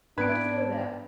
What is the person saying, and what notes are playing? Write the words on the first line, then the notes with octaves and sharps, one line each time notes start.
Let us go there!
G#2 B3 C4 D4 B4 G#6 D7